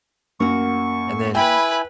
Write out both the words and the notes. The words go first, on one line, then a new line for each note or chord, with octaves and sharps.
and then
F#2 A#3 F#4 C#6
E4 B4 G5 G#5 B5